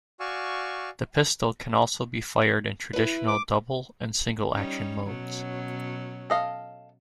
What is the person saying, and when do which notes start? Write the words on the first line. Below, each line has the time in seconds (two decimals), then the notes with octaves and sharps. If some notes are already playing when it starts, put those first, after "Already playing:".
The pistol can also be fired in traditional double and single-action modes.
0.20 F#4 D5 F5 G#5 C#6 E6
2.93 E4 B4
3.27 D6
4.52 G3 C#4 D#4
5.06 B2 F#3 C#4
6.30 A4 D#5 F5